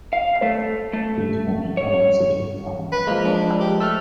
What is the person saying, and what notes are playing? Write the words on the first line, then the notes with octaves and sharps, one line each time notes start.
He was born in Panama City, Panama.
F5
A3
A3
C#5
B4
F3 G#3 A#3
D4
G4
A3 E6 F6